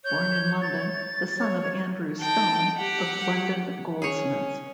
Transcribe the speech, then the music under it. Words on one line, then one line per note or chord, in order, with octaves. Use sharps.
Born in London, the son of Andrew Stone, a London goldsmith.
C#5 G6
A6
C#5
D#4 G5 A5
G4 F#5
C#4 G#4 C#5